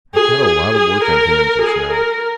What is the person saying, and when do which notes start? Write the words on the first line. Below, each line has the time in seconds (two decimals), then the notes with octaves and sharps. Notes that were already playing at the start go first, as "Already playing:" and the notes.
I've got a lot of work on hand just now.
0.14 G#4
0.44 G#4
0.74 G#4
1.03 A#4
1.61 G#4
1.91 A#4